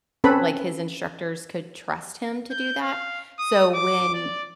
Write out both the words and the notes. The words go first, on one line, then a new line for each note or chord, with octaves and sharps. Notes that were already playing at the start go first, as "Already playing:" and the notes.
like, his instructors could trust him to do that, so when
C4 C#4 A4 B4 B5
G6
F5
D#6
D6
D5